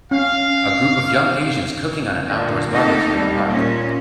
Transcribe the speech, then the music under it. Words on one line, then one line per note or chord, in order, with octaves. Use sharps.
A group of young Asians cooking on an outdoors barbecue in a park.
C#4 F5
A#2 D3
A3 A#3 C4 D#4 G4 A4
G3
A#2 C#4